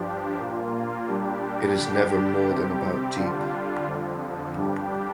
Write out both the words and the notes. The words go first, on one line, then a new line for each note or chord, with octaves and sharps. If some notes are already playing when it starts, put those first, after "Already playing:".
It is never more than about deep.
Already playing: G2 F3 D4 G4
A#2 A#3 F4
A#2 G3 D4 G4
D3 G3 D4 G4
C3 G3 C4 G4
D3 G3 D4 F4
F2 D3 F3
G2 G3 D4 G4